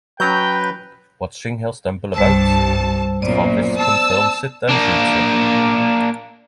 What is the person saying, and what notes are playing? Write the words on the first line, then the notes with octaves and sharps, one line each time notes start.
Watching her stumble about, Travis confirms it and shoots her.
F#3 C#4 B4 G5 A#5 G6
C2 G2 G3 C5 A5 E6
F#2 A#2 B3 C5 D5
A5 E6
A#3 D4